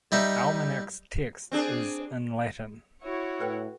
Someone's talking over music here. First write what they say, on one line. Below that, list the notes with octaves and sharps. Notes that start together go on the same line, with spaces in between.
The "Almanach"'s text is in Latin.
G3 D#4 E5
C4 D4 G#4
E4 F#4 C#5
A2 A4 B4 G5